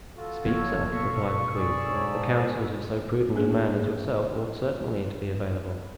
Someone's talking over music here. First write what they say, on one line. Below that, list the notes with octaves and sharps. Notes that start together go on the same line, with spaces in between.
"Speak, sir," replied the queen; "the counsels of so prudent a man as yourself ought certainly to be available."
F4 F#4 A4
F1 A#3 B3 C#5
B2 F5 C#6
G#4 D5 E6
G#2 D4 C#5 C#6
A5
A#3 D4 G#4